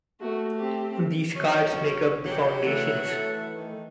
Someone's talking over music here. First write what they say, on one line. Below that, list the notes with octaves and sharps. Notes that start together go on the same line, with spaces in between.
These cards make up the foundations.
A3 F#4
C4 G4
G1 F#2 C#4
G#2 F#3 G4
E3 A3 A4 E5 F#5
D#3